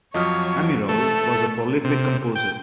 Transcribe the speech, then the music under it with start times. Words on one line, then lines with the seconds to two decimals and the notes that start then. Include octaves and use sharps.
Amirov was a prolific composer.
0.14 F2 F3 F#3 C#5 D#5 D#6 F6
0.89 A3
1.84 C3
2.35 G5